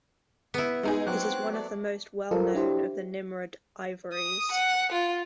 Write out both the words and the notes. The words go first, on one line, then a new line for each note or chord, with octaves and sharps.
It is one of the most well known of the Nimrud ivories.
B3 E4
G#3 D#4 G#4
F#3 C4 D6 F#6
A3 D5
F#3 F4 A4 A#4 C5
D4 E4 G4 C5
D#6
F#5
F4